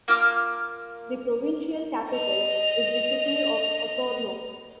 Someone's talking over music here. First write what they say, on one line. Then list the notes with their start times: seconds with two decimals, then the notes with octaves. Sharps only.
The provincial capital is the city of Osorno.
0.08 A#3 F4 D6 F6
2.12 D#5 F7